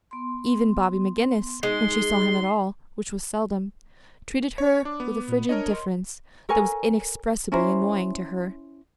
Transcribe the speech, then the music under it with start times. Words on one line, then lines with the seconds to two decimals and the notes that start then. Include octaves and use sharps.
Even Bobby McGinnis, when she saw him at all--which was seldom--treated her with a frigid deference that was inexpressibly annoying to her.
0.11 B3 C6
1.63 G#3 D#4 C6
4.58 C#5
4.85 D4 D6
5.00 B3
5.28 A#2
5.49 D4 A#4 C#5 D#5
5.73 C6
6.49 A4 A#4 C#5 G#5
7.52 C#4 E4 A#4 C5